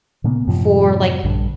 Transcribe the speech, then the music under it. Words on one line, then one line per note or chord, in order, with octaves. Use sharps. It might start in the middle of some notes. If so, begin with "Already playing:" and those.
for, like,
A#2 C#3 A#3 B3
F#2 A2 C3 F3
A#1 G2 D3